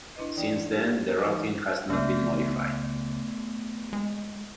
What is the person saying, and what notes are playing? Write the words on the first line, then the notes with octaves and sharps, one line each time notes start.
Since then, the routing has not been modified.
D4 E4 B4 D#5
E3 B3 D5 G5
D4
G3 G4 A#4
G4 A4 A#4
E3 G3 F4
C#2 A3 B3
G#3